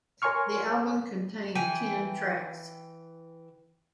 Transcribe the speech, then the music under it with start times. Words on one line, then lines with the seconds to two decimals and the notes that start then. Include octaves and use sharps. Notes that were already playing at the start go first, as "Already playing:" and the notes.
The album contained ten tracks.
0.22 A#4 C#5 G#5 C6 C#6 F6
1.55 E3 G5 G#5